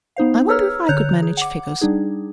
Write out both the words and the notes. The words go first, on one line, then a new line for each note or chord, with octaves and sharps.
I wonder if I could manage figures.
B3 D#4 C5 F5
G#4 B4 C#5 A#5 E6 F6
D3 C#5 A#5 F#6 G6 F7
G#4
F#5 D6
G3 D4 D#4 G#4